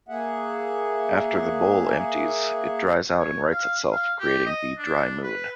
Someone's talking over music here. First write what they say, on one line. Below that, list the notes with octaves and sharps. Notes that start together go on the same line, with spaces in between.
After the "bowl" empties, it dries out and rights itself, creating the "dry moon".
A#3 G#4 E5 F#5
C#5
F5
F5
G4
D#5
D4
B4